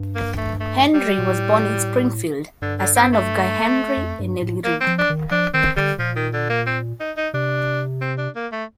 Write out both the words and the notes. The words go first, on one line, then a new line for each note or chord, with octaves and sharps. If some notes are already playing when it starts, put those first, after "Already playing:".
Henry was born in Springfield, a son of Guy Henry and Nellie Reed.
Already playing: G2
A#3
A3
A3
G3
A#2
A2
G2 D3
D3
C4
A3
F2
G2
A2
A#3
C4
F3
D4
D#3
F3 D4
D#3 C4
D3 G3
A#2 F3
D#3
D3
A#3
C4
D#4
D#4
C3 D4
C4
D4
A#3
A3